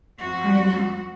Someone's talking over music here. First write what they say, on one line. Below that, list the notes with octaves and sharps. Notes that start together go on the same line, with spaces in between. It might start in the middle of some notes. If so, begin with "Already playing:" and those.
I know.
F2 F#4